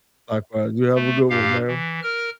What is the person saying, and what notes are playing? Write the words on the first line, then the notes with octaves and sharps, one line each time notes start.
Likewise, you have a good one, ma'am.
A3
G2 G4 F5
E3
A#4 F6